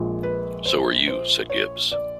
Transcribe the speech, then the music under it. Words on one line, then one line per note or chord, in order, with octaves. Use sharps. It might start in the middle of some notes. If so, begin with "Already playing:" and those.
"So are you," said Gibbs.
Already playing: A#1 A#2 F3 G#3
B4
C5
C5
C#5
D5